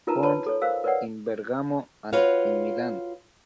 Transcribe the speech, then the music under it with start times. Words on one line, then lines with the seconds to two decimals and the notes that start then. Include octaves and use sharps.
Formed in Bergamo and in Milan.
0.07 D#4 F4 A#4 B4 A5 A#5
0.23 B4 C#5 A5 B5
0.46 A4 C#5
0.62 A#4 C5 F5 E6
0.84 A#4 B4 C#5 D5 F#5
2.13 F4 F#4 B4 C#5 F5